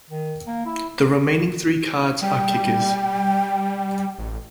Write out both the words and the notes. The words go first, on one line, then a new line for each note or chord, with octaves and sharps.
The remaining three cards are kickers.
D#3
A#3
E4
G3 G5
A1